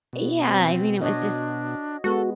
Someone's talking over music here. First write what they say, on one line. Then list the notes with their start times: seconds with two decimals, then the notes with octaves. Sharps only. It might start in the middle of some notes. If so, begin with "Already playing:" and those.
Yeah, I mean, it was just
0.13 B2
0.47 C4
1.02 D4 F#4 C#5 D#5
2.04 G#3 B3 F#4 A4